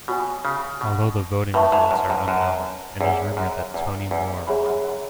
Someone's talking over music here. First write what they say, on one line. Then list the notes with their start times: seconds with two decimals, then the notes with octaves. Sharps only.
Although the voting results are unknown, it is rumoured that Tony Moore won.
0.08 B2 F#4 C#5 G#5
0.45 C#3
0.81 B2
1.54 A2 B4 E5 A5 C#6
1.72 G#2
1.91 F#2
2.10 F#2
2.28 F#2
3.01 E2 G#4 C#5 F#5 B5
3.37 F#2
3.74 E2
4.11 E2
4.47 F#2 G#4 C#5 E5 B5
4.66 F#2
4.84 F#2